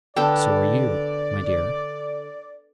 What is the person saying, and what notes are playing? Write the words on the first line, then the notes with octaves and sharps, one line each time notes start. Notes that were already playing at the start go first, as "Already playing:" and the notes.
So are you, my dear.
D3 B3 A4 D5 G5 A5